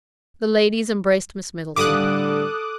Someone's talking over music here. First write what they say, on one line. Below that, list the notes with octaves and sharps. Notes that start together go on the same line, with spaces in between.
The ladies embraced Miss Middleton.
A2 D3 G3 A4 F5 D6 D#6 F#6